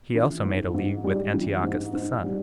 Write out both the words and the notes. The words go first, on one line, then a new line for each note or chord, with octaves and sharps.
He also made a league with Antiochus the son.
E3
G#2
G#2
G3
E3
G#2
G#2
G3